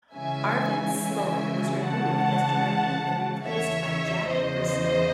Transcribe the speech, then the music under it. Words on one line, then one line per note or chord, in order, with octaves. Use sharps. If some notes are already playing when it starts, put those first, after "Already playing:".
Arvin Sloane was removed as director and replaced by Jack Bristow.
C#3 E3 G#3 E5 G#5
E5 G#5
F#5 A5
E2 C#3 E3 C#5 E5
C5 D#5